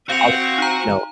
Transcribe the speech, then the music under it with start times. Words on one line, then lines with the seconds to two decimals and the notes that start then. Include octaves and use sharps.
but obviously, you know,
0.10 C4 F#4 F5 F#5 F7
0.58 D#4 A#5